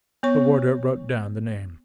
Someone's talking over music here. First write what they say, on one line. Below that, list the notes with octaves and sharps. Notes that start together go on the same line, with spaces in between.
The warder wrote down the name.
B3 C#5 C#6